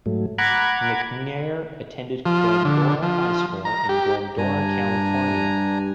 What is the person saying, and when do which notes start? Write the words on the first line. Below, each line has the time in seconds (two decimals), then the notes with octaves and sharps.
McNair attended Glendora High School in Glendora, California.
0.06 G#2 F#3 A3
0.38 F#5 A#5 B5 D6 F#6 G#6
2.26 F3
2.65 D3
3.03 F3
3.65 A#5
3.89 G4
4.38 G2 D4 G#5 A#5